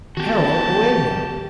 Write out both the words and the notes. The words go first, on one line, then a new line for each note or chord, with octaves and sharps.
"Carol away, now!"
D#3 B3 F#4 G4 A5